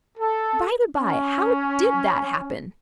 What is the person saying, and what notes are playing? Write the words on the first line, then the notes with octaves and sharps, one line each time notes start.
By the by, how did that happen?
A4
C#4